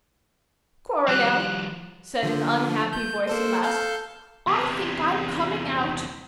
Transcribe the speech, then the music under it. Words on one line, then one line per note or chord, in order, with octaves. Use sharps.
"Coronel," said an unhappy voice at last, "I think I'm coming out."
F3 G3 F#6
D3 F3
G6
A#3 A4 C5
A4 F5 G6
E2 C3